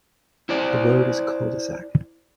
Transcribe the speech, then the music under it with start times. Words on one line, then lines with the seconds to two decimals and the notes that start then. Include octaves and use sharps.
The road is a cul-de-sac.
0.49 E4 C5 D5